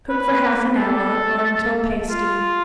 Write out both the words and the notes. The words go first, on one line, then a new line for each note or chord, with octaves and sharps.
Cook for half an hour or until pasty.
B4
A4
F4